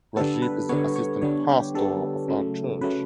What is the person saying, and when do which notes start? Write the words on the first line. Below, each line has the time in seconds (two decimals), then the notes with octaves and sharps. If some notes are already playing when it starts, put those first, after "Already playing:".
Rajib is the assistant pastor of our church.
0.16 D3 G3 B3 A4
0.42 B4
0.69 D3 G3 B3 C#5
0.96 C#5
1.22 D3 G3 B3 C#5
1.49 G4
1.74 D3 G3 B3 A4
2.28 C#3 F#3 A3
2.81 C#3 F#3 A3 B4